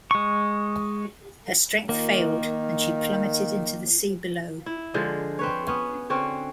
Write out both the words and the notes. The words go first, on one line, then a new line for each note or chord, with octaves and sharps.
Her strength failed, and she plummeted into the sea below.
G#3 C#6
D#3 A#3
E4
D3 F3 G#3
C4 B4 C#5
B3 C#4
D3 C4 C#4 F#4